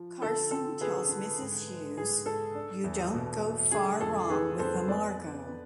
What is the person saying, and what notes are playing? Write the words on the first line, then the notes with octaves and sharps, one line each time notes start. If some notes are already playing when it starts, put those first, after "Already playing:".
Carson tells Mrs Hughes You don't go far wrong with a Margaux.
Already playing: F3
D3 A4
C4 A4
D3 G#4 B4
D3
G#2
G#3
G#2 G#4
G#2 A4
D4
E2
B2
A3
D3 G#4
F2 A4
D3 G#4 B4
F2 A4 C5
B3 B4 D5
B3
B3